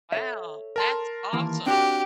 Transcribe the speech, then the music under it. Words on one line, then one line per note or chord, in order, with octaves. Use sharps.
Wow! That's awesome!
A4 C#5 E5
A#4 A5 C6
D#2 E3 A#3
C4 D4 F#4 G4